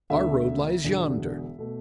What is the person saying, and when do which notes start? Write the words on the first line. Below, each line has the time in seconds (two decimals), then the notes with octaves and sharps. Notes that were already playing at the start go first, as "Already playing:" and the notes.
"Our road lies yonder."
0.10 E1 D2 D3 A3 E5
0.84 E1 E2 D3
1.59 B2 A3